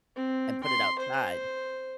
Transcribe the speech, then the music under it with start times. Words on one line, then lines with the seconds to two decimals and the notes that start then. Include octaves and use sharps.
and put it outside,
0.15 C4
0.63 C6
0.99 C5